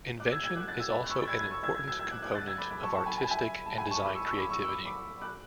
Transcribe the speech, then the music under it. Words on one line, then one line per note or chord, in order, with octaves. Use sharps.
Invention is also an important component of artistic and design creativity.
D6 F#6
E6 G#6
E6 G#6
D6 F#6
F#6 A6
E6 G#6
B5 D6
F#6
C#6 E6
A6
E6 G#6
E6 G#6
C#6 E6
E6 G#6
E6 G#6
E6 G#6
E6 G#6
D6 F#6
D6 F#6
F#6 A6
E6 G#6
B5 D6
B5 D6
A5 C#6
A5 C#6
G#5 B5
G#5 B5
E5 G#5
A5
G#5 B5
A5 C#6
B5 D6
C#6 E6
C#6 E6
B5 D6
C#6 E6
E6
B5 D6
B5 D6
D6 F#6